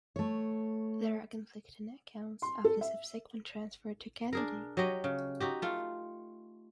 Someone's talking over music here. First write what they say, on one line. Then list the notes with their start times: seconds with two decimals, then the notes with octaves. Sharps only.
There are conflicting accounts of the subsequent transfer to Kennedy.
0.16 A3 C#5
2.42 C6
2.64 A4
2.81 E5
4.33 D4 G#4 A#4
4.77 F#3 G4 C#5 D#5
5.04 C#3
5.40 D#4 F#4 G4
5.62 A3 F4